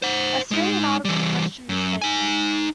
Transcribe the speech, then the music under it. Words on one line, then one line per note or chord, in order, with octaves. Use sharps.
A Syrian article questioned his statement.
C5 F#5
G#3 D#4
E3 G3
F#2
D#4 G#5